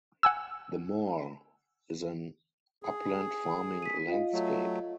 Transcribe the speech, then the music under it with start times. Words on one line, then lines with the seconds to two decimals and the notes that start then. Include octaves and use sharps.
The moor is an upland farming landscape.
0.23 F#5 G#5 E6
2.83 G#4
3.82 B6 D#7
4.07 F4 D#5 F5
4.33 F#3 A3